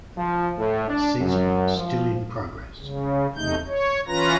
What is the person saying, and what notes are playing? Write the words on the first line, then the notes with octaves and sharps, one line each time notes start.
Season still in progress.
F3
A2
D4
F#2
F3
C#3
E2 C3 A3 D#4 G6
C#5
E3 C#4 F4 B4 A#5 A#6